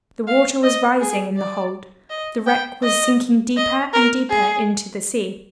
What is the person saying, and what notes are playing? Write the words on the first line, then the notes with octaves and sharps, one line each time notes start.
The water was rising in the hold; the wreck was sinking deeper and deeper into the sea.
F5
D#5
G#4
D5
D#5
G5
D#5
D#5
A#4
G#4